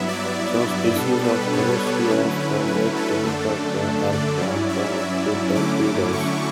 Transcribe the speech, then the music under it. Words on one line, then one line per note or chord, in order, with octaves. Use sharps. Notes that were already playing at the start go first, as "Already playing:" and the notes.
Some species of "Orestias" from Lake Titicaca are planktonic filter feeders.
Already playing: G2 F#3 B3 E4 E5
D5
B2 G3 B3 D4 A4
B4
C#5
A4
D3 F#3 A3 C#4 E4 B4
B4
B4
A4
F#2 D3 A3 D4
D5
G2 F#3 C#4 E4
E5
E5
D3 F#3 A3 C#4 E4 D6
C#6